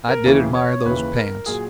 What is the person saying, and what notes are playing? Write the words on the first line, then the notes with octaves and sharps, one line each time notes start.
I did admire those pants.
A#4
D#2 C#3 E3
C#5
D#2 C#3 E3 B4
A#4
A#2 F#3 G#4